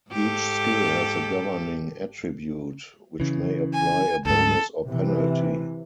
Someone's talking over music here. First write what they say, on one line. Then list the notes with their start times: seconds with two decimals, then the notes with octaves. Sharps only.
Each skill has a governing attribute, which may apply a bonus or penalty.
0.11 G#2 G4 A4
3.20 C#3 E3
3.74 G#5
4.26 D2 G#2 A4
4.86 C3 E3